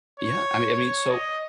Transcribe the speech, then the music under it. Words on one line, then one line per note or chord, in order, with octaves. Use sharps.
Yeah, I mean I mean, so
C#5
C#5
D#5